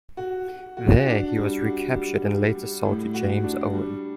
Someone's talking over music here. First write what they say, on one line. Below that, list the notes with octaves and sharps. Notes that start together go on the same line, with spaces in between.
There he was recaptured and later sold to James Owen.
F#4
F#4
F#4
D4
G3
F#4
G3
G3
G3
A2
F#4
D4
G3